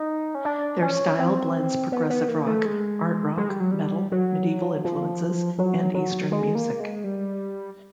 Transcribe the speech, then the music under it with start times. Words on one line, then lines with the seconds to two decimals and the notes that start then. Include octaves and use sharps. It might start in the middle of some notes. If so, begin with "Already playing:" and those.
Their style blends progressive rock, art rock, metal, medieval influences, and eastern music.
Already playing: D#4
0.35 C#4
0.45 D4
0.82 C#4
1.19 C4
1.92 B3
2.10 B3
2.29 A#3
2.46 A3
2.65 G#3
3.37 G#3
3.49 G3
3.60 F#3
3.71 G3
4.12 F#3
4.84 F3
5.58 F#3
5.94 F#3
6.32 G#3
6.55 A#3
6.80 G#3
7.04 G3